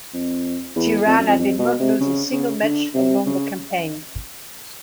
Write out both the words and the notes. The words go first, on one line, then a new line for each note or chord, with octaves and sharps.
Tirana did not lose a single match along the campaign.
F2
E2
F2
F#2
F2
F2
B2
C3
C#3
C#3
D3
C3
C#3